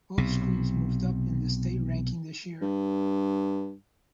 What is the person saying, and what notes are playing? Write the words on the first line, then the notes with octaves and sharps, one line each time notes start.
Both schools moved up in the state ranking this year.
B1 C3
G2